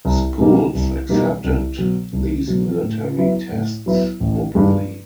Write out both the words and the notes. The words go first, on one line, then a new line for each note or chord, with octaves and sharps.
Schools accepted these military tests openly.
C2
B2 G3 A#3 D#4
C2
B2 G3 A#3 D#4
C2
B2 F#3
C2
B2 F#3
A2
F#3 B3 E4
A2
F#3 B3 E4
A1
G2 D#3 G#3